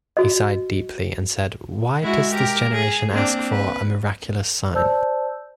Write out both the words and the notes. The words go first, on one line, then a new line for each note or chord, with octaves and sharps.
He sighed deeply and said, 'Why does this generation ask for a miraculous sign?
F#4 D#5
G#3 E4 F#4
G4 A#4
G#4
A#3 C4 D4
B4
C5 D5 A5 E6 G6